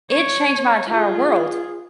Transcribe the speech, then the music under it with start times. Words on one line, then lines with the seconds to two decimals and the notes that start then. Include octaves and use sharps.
it changed my entire world.
0.10 C#5
0.90 F4 G#4